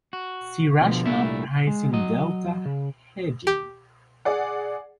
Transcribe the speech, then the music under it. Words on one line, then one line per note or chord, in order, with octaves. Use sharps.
See Rational pricing delta hedging.
F#4
B2 D3 F3
C2 A#2 A3 D4 E4 E5
G#3
F#3 D#5
C#3
G4
G#4 D5 F#5